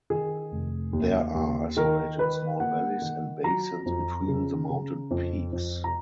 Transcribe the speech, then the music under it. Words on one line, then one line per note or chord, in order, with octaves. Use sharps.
There are isolated small valleys and basins between the mountain peaks.
D#3 G#4
F1
D#2
D#2
D#3 A#4
D#3 B4
A#3 F#5
D#3
F#3 A#5
F2
C#3
C#3
F2
F2
A#5